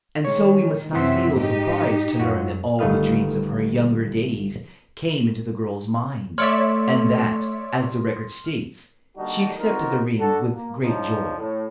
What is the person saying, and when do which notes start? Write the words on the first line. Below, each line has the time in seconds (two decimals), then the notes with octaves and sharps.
And so we must not feel surprised to learn that all the dreams of her younger days came into the girl's mind, and that, as the record states, "she accepted the ring with great joy."
0.25 D#3 G#3 C#5
0.93 F#2 C3 E3 E5 F#5 C6
1.36 G#2 D#4 G4
2.20 F#2 F4 F#4
2.79 G1 D#3 A3 B4 D#5 F5
6.38 A3 C#5 D5 E5 C6 F6
9.17 D3 G3 A#3 D4 D#4 F#4
9.59 C4 D#4 F4 F#4 A#4
10.19 D3 D4 F#4 A4
10.52 A#3
10.82 G#2 C#3 F3 D4 D#4
11.38 A2